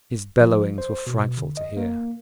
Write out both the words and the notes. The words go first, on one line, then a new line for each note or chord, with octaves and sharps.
His bellowings were frightful to hear.
F3
C5
B2
D3
D#5
A#3